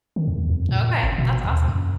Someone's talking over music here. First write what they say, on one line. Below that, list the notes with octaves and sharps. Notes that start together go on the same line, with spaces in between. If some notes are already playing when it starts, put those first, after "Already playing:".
Okay, that's awesome.
D#3
E2
F2
A#2
G#1
B2
D#2
F#2